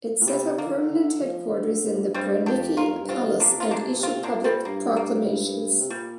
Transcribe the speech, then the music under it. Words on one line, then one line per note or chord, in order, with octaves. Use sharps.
It set up permanent headquarters in the Branicki Palace and issued public proclamations.
A#2
C3 G3
D3 A#3
F3
D3
D3
F3
D3
G2
A#2
G2
G2 G3 C4
F2 D4 G4
A#2 F4 A#4
G2
F2
G2
C4 F4
A#2 A#3 D4
C3
A#2
F4
C3
A#2 A#3 D4
C3
A#2
C3
A#2 C4 F4
C3
A#2 A#3 D4
G3 C4
G2 A#3
A#3
C3
A#2 G3